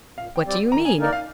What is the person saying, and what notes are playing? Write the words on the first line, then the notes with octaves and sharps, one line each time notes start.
"What do you mean?"
A#2 F5
G5
G3 C4 G4 D5
D#3 A#5
G#5
A#3 D#4 A#4 D5
F5